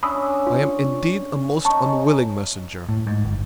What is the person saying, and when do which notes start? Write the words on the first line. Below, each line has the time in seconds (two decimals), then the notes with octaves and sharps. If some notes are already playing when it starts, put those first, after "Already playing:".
I am indeed a most unwilling messenger.
0.03 C#4 D4 E5 B5 D#6 E6
0.47 F4
1.65 C#4 D#4 A5 C#6
2.89 A2
3.07 G#2
3.25 G1